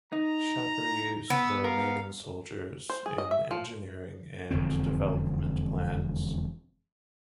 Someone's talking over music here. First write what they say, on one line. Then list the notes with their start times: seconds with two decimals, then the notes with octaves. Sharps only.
Shapur used the remaining soldiers in engineering and development plans.
0.12 D#4 A#5
1.30 B3 E6
1.64 A#4 F5
2.89 C5
3.06 G#4
3.18 D#5
3.31 E5
3.51 F3
4.51 E1 F2 D3 C4